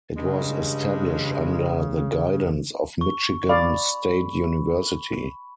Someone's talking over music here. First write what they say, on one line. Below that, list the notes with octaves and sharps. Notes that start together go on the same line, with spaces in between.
It was established under the guidance of Michigan State University.
G2 C#3 G#3
C#6
D5 F5 B5